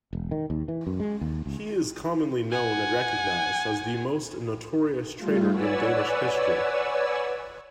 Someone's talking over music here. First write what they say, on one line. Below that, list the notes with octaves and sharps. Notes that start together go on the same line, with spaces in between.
He is commonly known and recognized as the most notorious traitor in Danish history.
E1
D#3
D#2
E3
F#2
G#3
D#2
C#2
F#5 G#5
G3 A3 F4
B4 C#5 D5 F#5 G#5 E6